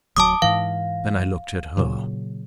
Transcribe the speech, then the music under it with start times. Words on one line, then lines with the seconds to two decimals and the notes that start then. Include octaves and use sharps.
Then I looked at her.
0.17 D1 F#3 A5 D6 D#6
0.42 G#2 E3 F5
1.77 A#2 C#3 F#3